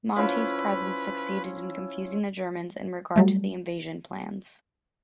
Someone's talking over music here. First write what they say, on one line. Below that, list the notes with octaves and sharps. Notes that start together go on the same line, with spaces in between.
"Monty's" presence succeeded in confusing the Germans in regard to the invasion plans.
F3 C#4 E4 B4
F#3 G3 A3